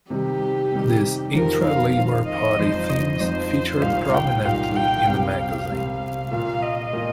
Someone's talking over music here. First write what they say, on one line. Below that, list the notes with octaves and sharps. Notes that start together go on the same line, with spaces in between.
These intra-Labour Party themes featured prominently in the magazine.
C3 D#3 G3 D#4 G4
C3 D#3 G3 D#4
F2 D#3 C4 F4 A#4
F5
F2 D#3 C4 F4
D#5
F2 F3 D#4 C5
D#5
F2 F3 D#4 C5
C2 A#2 G3 D#4 F5
G5
C2 A#2 G3 D#4 F5
G5
C2 C3 G3 F5
C2 C3 G3
A#2 A#3 F4 F5
D#5
A#2 A#3 F4